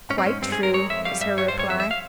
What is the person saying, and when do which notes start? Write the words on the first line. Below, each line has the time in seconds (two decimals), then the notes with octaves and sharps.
"Quite true," was her reply.
0.10 G#2 C#4
0.18 C4
0.26 G#2 C#4
0.42 G2 C4
0.52 G#4
0.58 G2
0.63 A#4
0.73 G#3 C#5
0.90 F2 E5
1.05 G3 F5
1.21 G2 E5
1.37 G3 C#5
1.48 C5
1.54 G2
1.59 C#5
1.69 F2 E5
1.80 E5
1.91 F5